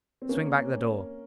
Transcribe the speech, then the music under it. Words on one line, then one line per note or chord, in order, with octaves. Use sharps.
Swing back the door.
C4
A#3 C#4